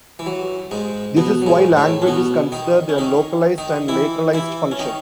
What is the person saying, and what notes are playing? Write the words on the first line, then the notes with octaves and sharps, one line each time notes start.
This is why language is considered a localized and lateralized function.
E3
F#3
G#2 G#3
B2 B3
F#3
G#2 G#3
A2 A3
C#4
B2 B3
D#3 D#4
C#4
D#3 D#4
D#3 D#4
E3 E4
E3 E4
C#4
D#3 D#4